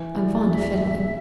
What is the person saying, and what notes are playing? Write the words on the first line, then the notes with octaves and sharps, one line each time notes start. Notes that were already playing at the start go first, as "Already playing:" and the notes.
I'm fond o' fiddling.
Already playing: E3
E1 D5
E2 E5
E1